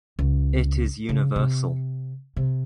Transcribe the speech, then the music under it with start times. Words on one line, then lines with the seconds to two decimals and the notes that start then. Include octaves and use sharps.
It is universal.
0.19 C#2
1.09 C#3
1.36 C3
2.37 C3